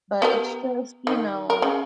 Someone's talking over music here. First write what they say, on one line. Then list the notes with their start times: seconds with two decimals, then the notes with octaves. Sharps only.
But it's just, you know,
0.22 B3 G4 A#4
1.07 D#3
1.50 A#4
1.62 C#3